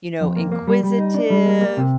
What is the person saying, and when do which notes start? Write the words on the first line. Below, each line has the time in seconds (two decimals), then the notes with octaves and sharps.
you know, inquisitive.
0.21 F2
0.36 A#3
0.52 A#3
0.67 G3
0.83 G3
0.98 D#4
1.14 D4
1.30 G3
1.46 A#3
1.61 A#3
1.77 C3